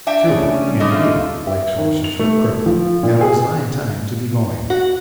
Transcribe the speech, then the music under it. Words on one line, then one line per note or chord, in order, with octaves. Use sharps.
Two, indeed, of Blake's horses were crippled, and it was high time to be going.
D4 E5 G5
A2 C#3
C#4
G3
D3 A3 D#4 E4 D#5
C4 F4
E5
D#3
F7
A3
A3
F3
A#2
G#4
F#4